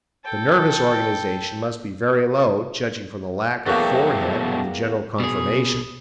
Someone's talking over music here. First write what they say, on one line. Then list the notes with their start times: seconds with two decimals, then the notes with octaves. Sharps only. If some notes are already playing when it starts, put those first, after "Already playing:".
The nervous organisation must be very low, judging from the lack of forehead and the general conformation.
0.24 A4 G5
3.66 E2 B2 F#3 A3 A#3 F#4 G4
5.20 B2 G#4